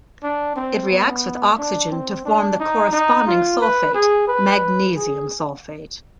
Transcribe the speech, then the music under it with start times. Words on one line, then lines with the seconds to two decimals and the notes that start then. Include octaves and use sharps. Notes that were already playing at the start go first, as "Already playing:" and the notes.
It reacts with oxygen to form the corresponding sulfate, magnesium sulfate.
0.23 D4
0.56 C4
0.90 B3
1.58 D4
1.91 C4
2.25 D4
2.60 D#4
2.93 D#4
3.27 F4
3.61 B4
3.95 G#4
4.28 B4
4.96 G#4